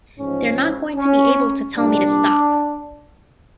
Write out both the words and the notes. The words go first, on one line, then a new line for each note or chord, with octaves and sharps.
They're not going to be able to tell me to stop.
A1 G#2 F3 G#3 C#4
C#4
C2 A#2 G3 D4